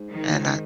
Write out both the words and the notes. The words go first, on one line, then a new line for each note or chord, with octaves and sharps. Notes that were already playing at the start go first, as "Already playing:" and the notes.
and I I
Already playing: G#2
D#3